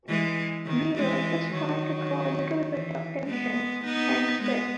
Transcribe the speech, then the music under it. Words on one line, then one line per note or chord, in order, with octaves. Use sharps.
"We were just trying to draw a little bit of attention," Hank said.
E3 G#3
D#3
E3 G#3
D#3 F#3
E3
G#3 B3
B3 D#4
G#3 B3